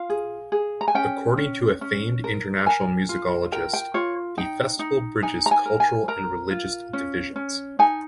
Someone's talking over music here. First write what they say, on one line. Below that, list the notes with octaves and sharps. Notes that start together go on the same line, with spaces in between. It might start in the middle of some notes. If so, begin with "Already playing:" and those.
According to a famed international musicologist, the Festival bridges cultural and religious divisions.
Already playing: F4 F5
G#4
G#4
A#5
G#5
C#4 G5
C#4
C#4
A#4
A#4 G#5
F4
A#4 G5
G5
F4 C#5
D#4 G5
D#4
D#4 G#5
A#5
G#5
A#4
G#5
A#4 A#5
F4
C#4
C#4
D#4 G#5